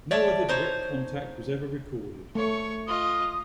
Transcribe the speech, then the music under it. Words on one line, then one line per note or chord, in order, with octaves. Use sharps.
No other direct contact was ever recorded.
C#5 D5 E5 A5
D#4 C5 C#5
A3 C#5 C#6
F4 D#5 D#6